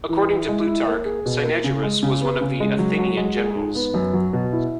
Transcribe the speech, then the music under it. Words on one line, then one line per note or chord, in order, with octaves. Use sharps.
According to Plutarch, Cynegeirus was one of the Athenian Generals.
E3
E4
G#3
E4
A#3
G#4
B2
A#3
C#3
G#3
C#3
B3
C#3
G#3
F#3
F#4
G#3
G#4
G#2
B3
F#2
F#3
B2
E4